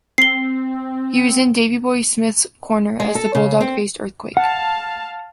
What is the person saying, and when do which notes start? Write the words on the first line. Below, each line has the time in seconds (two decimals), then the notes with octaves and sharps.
He was in Davey Boy Smith's corner as the Bulldog faced Earthquake.
0.18 C4 C7 G7
3.00 G#3
3.15 A4
3.35 C#3
3.61 C4
4.37 F5 F#5 A5